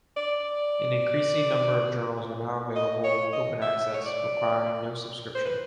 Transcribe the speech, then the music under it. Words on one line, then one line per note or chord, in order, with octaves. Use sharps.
An increasing number of journals are now available with open access, requiring no subscription.
D5
D#5
C#5
D#5
E5
C#5
D5
C5
B4